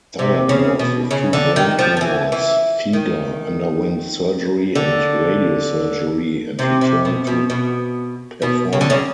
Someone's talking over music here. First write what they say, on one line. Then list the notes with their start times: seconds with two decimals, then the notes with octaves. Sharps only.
Diagnosed with two brain tumors, Fieger underwent surgery and radiosurgery and returned to performing.
0.19 C3
0.49 C#3
0.79 B2
1.11 C#3
1.33 D3
1.56 D#3
1.79 F3
1.97 F3
2.01 E3
2.32 E3
2.93 D#3
4.75 D3
6.59 C3
6.81 C3
7.05 B2
7.27 B2
7.50 B2
8.42 B2
8.73 C#3
8.81 D3
8.90 C#3